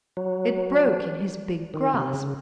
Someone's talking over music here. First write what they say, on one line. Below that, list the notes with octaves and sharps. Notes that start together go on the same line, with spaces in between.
It broke in his big grasp.
F#3
D#3
C3
C#3